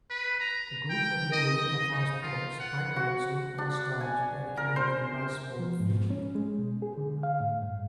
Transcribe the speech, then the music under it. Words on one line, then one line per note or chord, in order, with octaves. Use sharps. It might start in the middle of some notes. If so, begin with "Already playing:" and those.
A group of men in camouflage pants, breakdancing on a stage at a community baseball field.
B4
A#5
G5
D#5
D#4
F4
F#5
F#4
D4
G#5
A#4
C5
F3
G#2
C#4
G#3
B2
G#4
D3
F5
A2
G2